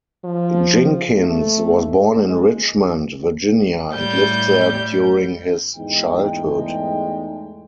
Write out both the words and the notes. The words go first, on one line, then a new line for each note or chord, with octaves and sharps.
Jinkins was born in Richmond, Virginia, and lived there during his childhood.
F3
A3
G#2
G#3
A2 G3 G6
E2 G#2 G#3 A3 D#4 G5